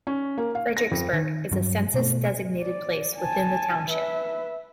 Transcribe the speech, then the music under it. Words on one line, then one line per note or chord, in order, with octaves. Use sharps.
Fredericksburg is a census-designated place within the township.
C#4
A#3
F5
A#6
F2
D#3
G2 F#3
B2 A3
D5
G#5 A5
B4 E5